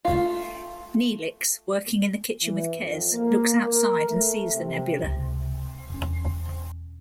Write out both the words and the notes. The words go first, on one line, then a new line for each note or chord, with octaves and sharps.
Neelix, working in the kitchen with Kes, looks outside and sees the nebula.
A3 F4
E3
F2
A#3
A#4
A3
C3
C#2 C3
E1 C#4